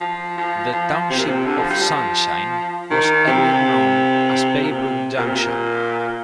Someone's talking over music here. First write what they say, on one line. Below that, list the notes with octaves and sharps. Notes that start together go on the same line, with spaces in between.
The township of Sunshine was earlier known as "Braybrook Junction".
F3
F3
F3
C3
A#2
C3
D3
F3
G3
F3
D#3
C3
A#2
C3
A#2
C3
A#2